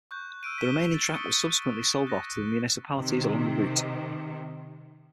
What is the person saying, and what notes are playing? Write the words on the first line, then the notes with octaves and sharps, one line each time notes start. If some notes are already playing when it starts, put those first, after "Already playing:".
The remaining track was subsequently sold off to the municipalities along the route.
C#6 F#6 G6
E6 F6 D7 D#7
B6 D#7 E7 G7
A6
C#6 D#6 E6 A6 C#7
F#6 A6 A#6
C3 D#3